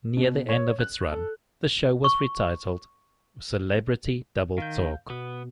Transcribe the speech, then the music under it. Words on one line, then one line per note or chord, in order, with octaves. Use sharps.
Near the end of its run, the show was retitled "Celebrity Double Talk".
B2
C#5
F#6
A4
C#6
D#3 F5 G6
B2 B3